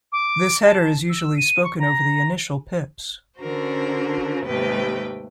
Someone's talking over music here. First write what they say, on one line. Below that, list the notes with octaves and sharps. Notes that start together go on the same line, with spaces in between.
This header is usually spoken over the initial pips.
D6
A5
E6
D#7
C#6
A#5
D3 C#4 D4 F#4 A#4 C5
D#2 G#2 C3 A3 B4 G5